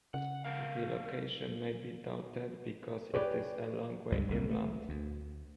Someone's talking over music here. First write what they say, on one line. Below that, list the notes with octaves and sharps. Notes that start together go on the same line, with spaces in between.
The location may be doubted because it is a long way inland.
C#3 F#5
A4 A#4 F5
G4 G#4 B4 C#5 D5
C#2 G2 G3 G#3
F#1 C2
A3
D2